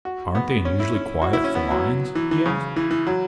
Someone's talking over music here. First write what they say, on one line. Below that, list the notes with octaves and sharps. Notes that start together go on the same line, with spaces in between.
"Aren't they unusually quiet for lions?" he asked.
F#4
B3
B3
C#4
E4
C#4
F#4
E4
C#4
B3
F#3
E3
E3
C#3
E3
E3
F#3